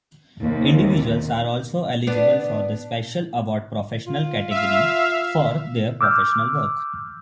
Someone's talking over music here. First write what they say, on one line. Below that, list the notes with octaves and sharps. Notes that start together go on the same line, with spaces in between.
Individuals are also eligible for the Special Award-Professional category for their professional work.
D#2 C3
B3 D4
F4
E5 F5
D6 E6 F6 G6